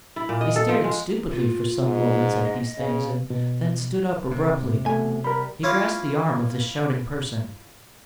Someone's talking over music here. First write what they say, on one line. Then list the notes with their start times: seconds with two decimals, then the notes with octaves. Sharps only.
He stared stupidly for some moments at these things and then stood up abruptly; he grasped the arm of this shouting person.
0.16 E4
0.29 A#2
0.41 D#5
0.56 A4
0.69 F3
0.84 G#3
1.32 F4
1.82 G#2
2.44 D#5
2.78 C#3
3.30 B2
4.31 C3
4.62 G#2
4.86 E2 B2 A3 G#5
5.24 G3 A#4 B5
5.63 C#4 E4 F4 C#5 D6